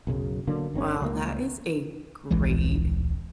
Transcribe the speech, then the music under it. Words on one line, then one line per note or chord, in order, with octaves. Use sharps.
Well, that is a great
B1 F#2 C#3
D3 F#3 A#3
G1 D#3 C4 C#4
C#2 G3 A#3
D1 A#1 E3 G#3